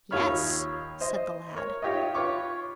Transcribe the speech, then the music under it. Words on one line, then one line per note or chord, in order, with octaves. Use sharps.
"Yes," said the lad.
D#2 D#3 F4 C#5 B5 F6
C5 D#5
A#4 C#5
D#4 F4 G4 C#5 D#5
F4 B4 C#5 C#6 D6